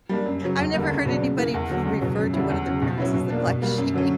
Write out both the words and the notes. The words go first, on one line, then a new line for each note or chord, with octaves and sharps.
I've never heard anybody re refer to one of their parents as the black sheep.
G3 A#3 D4
F#2
C#3 F#3
E2
D3 G3 A#3
C#2
B2 F#3 B3 D4
C#3
E3 A#3
E2
D3 F#3
C#2
B2 F#3
F#2
D3 G3 C#4 E4
E2
C#3 F#3
B2
F#3 C#4 E4
B2
A#3 D4
B2
G3 A#3
F#2
D3 F#3 C#4